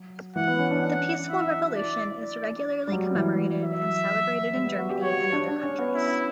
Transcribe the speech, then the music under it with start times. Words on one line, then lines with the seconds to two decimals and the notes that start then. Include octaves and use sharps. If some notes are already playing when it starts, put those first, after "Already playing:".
The peaceful revolution is regularly commemorated and celebrated in Germany and other countries.
Already playing: F#3
0.36 E3 F#5
0.48 B3
0.59 C#4
0.71 D4
0.83 F#5
1.29 E4 E5
1.44 E4
1.60 F#4
1.75 E4 D5
2.21 D5
2.87 G3
2.92 F#3
3.15 E3
3.38 F#3
3.62 E5
4.55 G3
4.66 B3
4.79 F#4
4.90 G4
5.01 F#4 C#5
5.32 D4
5.48 D4
5.63 C#4
5.79 B3
5.95 E4